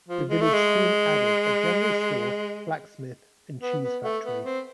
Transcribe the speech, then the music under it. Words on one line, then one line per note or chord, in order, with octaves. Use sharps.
The village soon added a general store, blacksmith and cheese factory.
F3
G#3
A3
G#3
B3
B3
A3
B3
C4